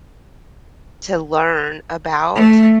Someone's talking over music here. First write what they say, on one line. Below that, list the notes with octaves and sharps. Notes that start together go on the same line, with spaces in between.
to learn about
A3